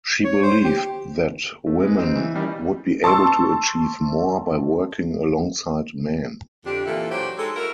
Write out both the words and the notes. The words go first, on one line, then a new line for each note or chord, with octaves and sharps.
She believed that women would be able to achieve more by working alongside men.
C#5
C5
G4
A3
G#3 B3
C#3 C4 D#4
E3
D#3 E3 G3 C#4 D#4 E4
A5 C6 C#6 E6
F2 D3 D4 G4
A#2 E3 E4 F4 A4
F#3 D4 G4 C5
G#3 D#4 A4
E4 F#4 A#4